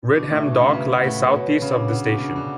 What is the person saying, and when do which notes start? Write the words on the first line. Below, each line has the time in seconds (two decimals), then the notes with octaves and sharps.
Ridham Dock lies south-east of the station.
0.15 B2 D4
0.31 A2
0.36 E5
0.45 B2
0.55 C#3 E5
0.69 C#3
0.74 B2 B4
0.93 F#5
1.03 A2
1.13 B4
1.32 B2 C#5
1.52 C#5
1.62 C#3
1.72 D4
1.91 C#3 F#5
2.06 B2
2.11 D4
2.20 C#3
2.30 D4
2.36 D3